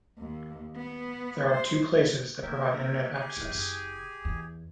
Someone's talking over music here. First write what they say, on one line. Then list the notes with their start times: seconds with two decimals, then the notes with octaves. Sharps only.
There are two places that provide Internet access.
0.19 D#2
0.76 B3
1.51 C5
2.43 A#3 A#4 E5 G5
3.13 G4 G#4 G#5
3.37 D#1 E3
3.51 F#1
4.25 E2